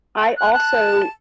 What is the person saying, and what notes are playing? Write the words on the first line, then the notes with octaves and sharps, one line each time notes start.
I also
G5
F#6
A5 F#6